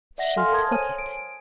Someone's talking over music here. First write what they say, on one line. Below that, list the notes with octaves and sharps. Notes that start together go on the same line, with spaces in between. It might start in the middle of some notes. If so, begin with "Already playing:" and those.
She took it!
D5 E5 F#5 A#6
A4 F5 G#5 C6 F6
A#4 A5 C6 D#6 G#6
C5 C#5 G#5 D#7
D7